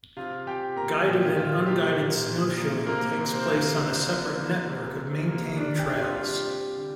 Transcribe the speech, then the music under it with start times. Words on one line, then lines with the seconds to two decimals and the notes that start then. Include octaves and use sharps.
Guided and unguided snowshoeing takes place on a separate network of maintained trails.
0.17 C3 F4 F5
0.47 C3 G4 G5
0.76 A#3 A#4 A#5
1.06 A#2 G4 G5
1.36 A#2 F4 F5
1.66 A#3 G4
1.97 A#2
2.26 A#2
2.56 A#3
2.87 C3 A#3 A#4
3.17 C3
3.32 C4 C5
3.46 A#3
3.76 D3
4.07 D3
4.37 A#3
4.67 C3
4.97 C3
5.26 A#3
5.56 A#3 D4 D5
5.78 G4 G5
5.86 C3
6.02 F4 F5
6.17 G3
6.25 G4
6.46 C4
6.77 D3